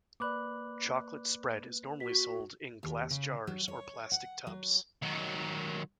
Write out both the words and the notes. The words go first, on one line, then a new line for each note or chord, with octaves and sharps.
Chocolate spread is normally sold in glass jars or plastic tubs.
A#3 B4 D5 B5 D6 F#6
F#4 B6
D#2
C#3
F#3
C#5
F#5
F#3
D#3 F#3